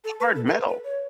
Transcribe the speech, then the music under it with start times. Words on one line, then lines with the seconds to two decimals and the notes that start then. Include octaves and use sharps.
hard metal.
0.04 A4
0.20 B4
0.35 A4
0.46 A4
0.52 B4
0.68 B4
0.84 C#5